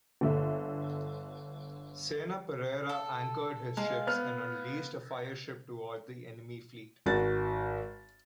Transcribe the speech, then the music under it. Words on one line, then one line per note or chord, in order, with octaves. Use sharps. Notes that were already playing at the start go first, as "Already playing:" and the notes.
Sena Pereira anchored his ships and unleashed a fire ship toward the enemy fleet.
G1 D3 E5
A4
G#3 F5
B3 F6
G#1 F#4 A6